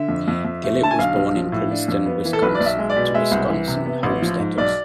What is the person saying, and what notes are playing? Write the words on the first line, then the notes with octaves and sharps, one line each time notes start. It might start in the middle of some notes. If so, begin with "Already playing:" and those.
Gillett was born in Princeton, Wisconsin to Wisconsin homesteaders.
Already playing: D3 E5
F2
F2
F2
A3
D3 A5
G#5
B1 F5
B1
F3
A2
D4
F2
B3
E3
A4
B1 B4
D5
B1
E5
G#3
D5
B2
G#3 E5
C2
E3
C3
B3
A1
F3
G#2
B1 D5